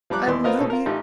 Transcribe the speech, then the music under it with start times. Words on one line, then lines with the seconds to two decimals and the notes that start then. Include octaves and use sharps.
I love you!
0.10 F3 G3 A#5 D6 F#6
0.27 D#2 E3 D5 C6
0.44 B3 C4 F4 A#4 D#5
0.58 B2 C#4 D#4 A4
0.70 F4 A#4
0.86 A1 D#4 F4 G4